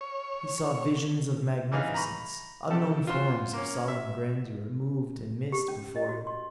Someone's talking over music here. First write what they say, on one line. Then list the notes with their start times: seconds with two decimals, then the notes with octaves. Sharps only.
He saw visions of magnificence; unknown forms of solemn grandeur moved in mist before him.
0.01 C#5
1.72 G2 E3 D#4 G#4 F5
1.94 A#5 B5 C#6
2.70 C3 G4 A4 A5
3.07 F4 F#4 C5 C6
3.53 A#3 C#4
3.88 E5
5.52 G4
5.68 C#4
5.96 D#5
6.09 F#4
6.27 C6